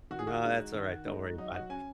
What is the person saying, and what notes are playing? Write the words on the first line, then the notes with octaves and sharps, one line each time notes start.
No, that's alright. Don't worry about it.
D#3 F#4
G#4
F#4
G#3 D#4
D#3
G#3 D#4
F#3 D#4
F#4
C#4 G#5